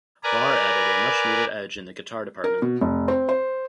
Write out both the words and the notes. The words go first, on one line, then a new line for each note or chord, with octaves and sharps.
Barr added a much needed edge in the guitar department.
A#4 B4 D5 G#5 A#5
A#4
B2
F1
C4
C5